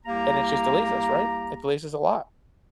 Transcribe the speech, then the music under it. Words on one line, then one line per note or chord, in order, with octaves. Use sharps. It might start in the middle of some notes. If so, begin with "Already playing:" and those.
and it just delays us, right? It delays us a lot,
C2 A#3 G4 A#5